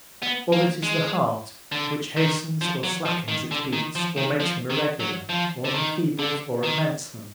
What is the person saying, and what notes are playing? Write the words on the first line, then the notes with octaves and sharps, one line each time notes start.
Or it is the heart, which hastens or slackens its beats, or makes them irregular, or enfeebles, or augments them.
B3
A#3
G#3
D3
D#3
F3
F#3
F3
D#3
D3
D#3
F3
D#3
F3
D#3
F#3
F3
D3
D#3
D3
D#3